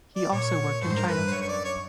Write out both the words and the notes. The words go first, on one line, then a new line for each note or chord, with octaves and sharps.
He also worked in China.
D5
A#2 C#5
G2 C5
G#2
G2 A#4
B4
C5
F#2 C#5
C#5
D5
C#5